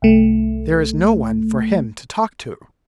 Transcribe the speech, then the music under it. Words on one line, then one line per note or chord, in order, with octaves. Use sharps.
"There is no one for him to talk to."
C2 A3